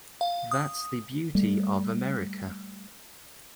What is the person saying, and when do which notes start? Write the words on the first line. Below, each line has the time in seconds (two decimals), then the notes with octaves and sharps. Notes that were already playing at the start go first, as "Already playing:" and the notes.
That's the beauty of America.
0.21 F5
0.51 D#6
1.35 G3 A3